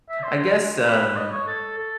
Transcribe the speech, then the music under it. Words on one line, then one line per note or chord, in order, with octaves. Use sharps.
I guess, um
E5
C5
B4
D#5
C#5
A4
A4